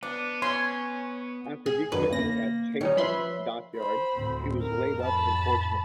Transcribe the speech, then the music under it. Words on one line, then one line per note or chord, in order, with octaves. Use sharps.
After decommissioning at Chatham Dockyard, she was laid up in Portsmouth.
B3 D4
C#4 C#5 C6
G#4
F#2 D3 D#3 B4
E2 C#3 A#3 A#6
D#3 G3 C#4 D#4
F3 B4 E5 B5 C6
C5 B5
D2 A2 C4
F2 A2 A#4
A5 B5